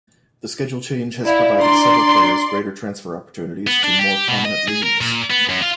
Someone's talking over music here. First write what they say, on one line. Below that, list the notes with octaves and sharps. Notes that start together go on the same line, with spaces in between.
The schedule change has provided several players greater transfer opportunities to more prominent leagues.
E4 D5 F5
D4 D5 A#5 C6
B3
D4
G4
B2
D#5
G#4
A#4
A#2
B3
F#2
F4